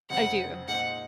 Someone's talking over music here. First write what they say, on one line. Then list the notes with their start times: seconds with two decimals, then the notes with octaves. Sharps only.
I do.
0.10 F1 F2 C#3 G#3 C4 F#5
0.67 A#2 G#3 D#4 G#4 C5 F#5